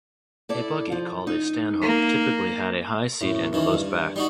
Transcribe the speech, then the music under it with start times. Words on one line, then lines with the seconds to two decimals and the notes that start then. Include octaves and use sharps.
A buggy called a stanhope typically had a high seat and closed back.
0.49 E4 A4 D5
0.92 F3
1.27 D#4
1.82 A#3
3.21 F#2 A2
3.53 F#2 D#3 E3
3.74 G2
4.16 G3 D#4 F#4